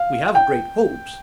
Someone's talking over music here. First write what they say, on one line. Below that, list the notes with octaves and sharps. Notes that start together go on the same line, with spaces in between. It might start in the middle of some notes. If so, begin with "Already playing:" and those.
"We have great hopes."
Already playing: F5
G5